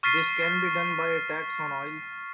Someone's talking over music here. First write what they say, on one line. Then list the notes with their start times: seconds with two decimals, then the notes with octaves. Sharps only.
This can be done by a tax on oil.
0.03 C#6 F6 A6 B6 C7 D#7